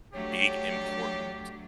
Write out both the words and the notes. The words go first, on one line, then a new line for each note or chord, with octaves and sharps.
big important
F#3 A3 D4 G4 C#5